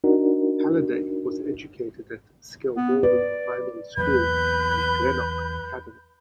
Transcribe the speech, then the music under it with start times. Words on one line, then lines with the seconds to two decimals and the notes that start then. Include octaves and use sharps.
Halliday was educated at Skelmorlie Primary School and Greenock Academy.
0.04 D4 D#4 F#4 A#4
2.76 B3
3.03 B4 D5
3.97 E2 F#3 A#3 B4 B5 G6